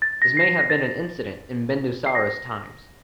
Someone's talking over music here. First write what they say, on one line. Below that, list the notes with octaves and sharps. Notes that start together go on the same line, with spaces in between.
This may have been an incident in Bindusara's times.
A6
A#6
C7
A#6
A#6
A6
C7
A#6